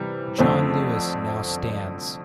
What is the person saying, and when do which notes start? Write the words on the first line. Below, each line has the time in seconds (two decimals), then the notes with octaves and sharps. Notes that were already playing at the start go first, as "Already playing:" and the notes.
John Lewis now stands.
Already playing: C3 E3 G3
0.38 F2 D3 A3 C4